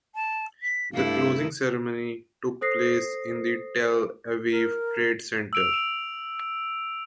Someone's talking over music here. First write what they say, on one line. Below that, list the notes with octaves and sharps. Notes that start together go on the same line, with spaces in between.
The closing ceremony took place in the Tel Aviv Trade Center.
A5
B6
G2 A3 E4 F5
A4 C5 D#6 A#6 C7
A#4
E6 D7 F7